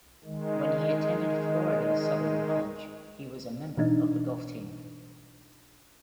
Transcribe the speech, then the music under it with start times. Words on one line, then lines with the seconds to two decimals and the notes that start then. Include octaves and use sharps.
When he attended Florida Southern College, he was a member of the golf team.
0.24 D#3 G#3
3.77 B2 E3 D4 D#4